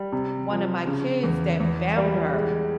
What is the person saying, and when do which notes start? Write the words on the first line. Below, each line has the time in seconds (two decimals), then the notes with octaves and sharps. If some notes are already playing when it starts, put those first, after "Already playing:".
one of my kids that found her,
Already playing: G3
0.12 C3
0.50 F3
0.87 C#3
1.23 E2
1.60 E2
1.97 G3
2.34 G#3